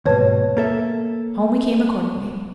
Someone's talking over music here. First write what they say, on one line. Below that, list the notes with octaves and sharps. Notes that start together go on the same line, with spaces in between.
Home we came accordingly.
D#2 G#2 B2 B4 C#5 A5
A#3 A4 E5